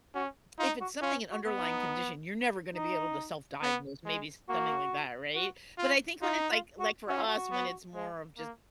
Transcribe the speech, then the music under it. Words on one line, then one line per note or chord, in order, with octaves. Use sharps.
if it's something an underlying condition, you're never gonna be able to self-diagnose, maybe something like that, right? But I think when it's like like for us, when it's more of just
C#4 F#4
D#4 F4
F#4
C#4 F4
F#4
B3
D#4
D#4
B3
G#3
A#3 F#4
F#4
F4
D#4 F4
F4
F#4
C#4 F#4
F4
F#4
B3
G#3
A#3